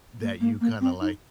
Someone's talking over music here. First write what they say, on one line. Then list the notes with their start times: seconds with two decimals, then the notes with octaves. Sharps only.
that you kinda like
0.21 A#3
0.41 A#3
0.61 A#3
0.81 C4
1.01 D#4